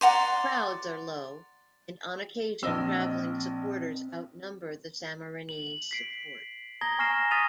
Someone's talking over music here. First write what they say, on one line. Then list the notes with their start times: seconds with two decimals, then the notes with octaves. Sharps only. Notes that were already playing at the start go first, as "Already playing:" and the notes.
Crowds are low, and on occasion travelling supporters outnumber the Sammarinese support.
0.01 D5 F#5 A#5 C6
2.63 A#1 C4 D#5 E6
5.49 F#7
5.91 B6 C7 D7
6.81 A5 A#5 D#6 G#6 A#6 G7
6.99 G#5 C#6 F6 A#6 C7 E7
7.31 D#6 F6 A6 B6 D#7 F7